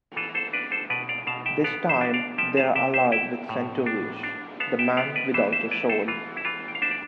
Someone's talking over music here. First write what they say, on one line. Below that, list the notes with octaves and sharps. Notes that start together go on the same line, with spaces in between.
This time they are allied with Centurious, the man without a soul.
E3 F4 A4
A4 C5
D4 B4 D5
A4 C5
B2 B4 D5
D5 F5
B2 F5 A5
E5 G5
B3 D5 F5
C5 E5
D4
D5 F5
F3 E5 G5
F5 A5
C3 E5 G5
C5 E5
E4 E5 G5
A2
D4
D4
B3 F5 A5
E5 G5
B3 D5 F5
B4 D5
E3 C5 E5
C5 E5
E4 B4 D5
A4 C5
E3 F4
E4
E3 F4
G5
F5
D4 C5 E5
D5